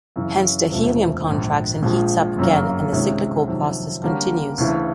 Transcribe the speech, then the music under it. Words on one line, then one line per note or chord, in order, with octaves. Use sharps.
Hence the helium contracts and heats up again and the cyclical process continues.
F#2 C#3 E3
E1 D2 C3 F3 A3
A#1 G#2 D#3
A#1 A#2 F3 G#3
G1 F#2 C#3 F#3 A#3
C#2 C3 D#3 G#3 C#4
F2 C3 D#3 F#3
D3 G3 A#3 C#4 F#4
D2 C#3 E3 A3